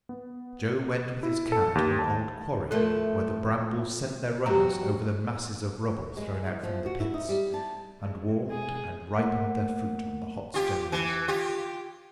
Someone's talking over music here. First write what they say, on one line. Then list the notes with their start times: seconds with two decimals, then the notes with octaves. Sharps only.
Joe went with his can to an old quarry where the brambles sent their runners over the masses of rubble thrown out from the pits, and warmed and ripened their fruit on the hot stones.
0.09 B3
1.23 E4
1.52 A4
1.75 D#2
1.99 A5
2.71 A2 F3 A3 A4 A#4
4.46 G2 F#3 F#4 G4 A#5
6.17 G#3
6.46 E2
6.63 F3
6.86 F#4
7.00 E4
7.14 D#4
7.29 G3
7.54 A5
8.01 G#3
8.50 G#4
9.15 A3 A#3 A#4 F#5 F#6 B6
10.54 F4 G4
10.92 E3
11.28 F4 G4